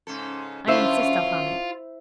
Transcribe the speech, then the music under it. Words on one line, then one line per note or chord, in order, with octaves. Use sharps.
I insist upon it.'
G#2 C#3 A4
F#2 D3 C#4 E4 F4 C5 E5